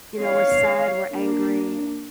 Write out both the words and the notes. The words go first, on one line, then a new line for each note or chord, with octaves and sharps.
you know, we're sad, we're angry.
C#5 F5
A#3 D4